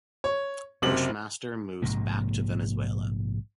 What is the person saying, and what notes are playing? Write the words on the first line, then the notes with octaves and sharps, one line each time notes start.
Bushmaster moves back to Venezuela.
C#5
F#1 C3 F#7
A#1 G#2 C3 A#3